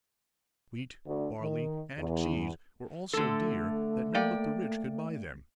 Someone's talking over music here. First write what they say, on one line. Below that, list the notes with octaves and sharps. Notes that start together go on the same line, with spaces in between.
Wheat, barley and cheese were all so dear that none but the rich could buy them.
D2
D#3
E2
D3 A3 A4
A#3 D5 G5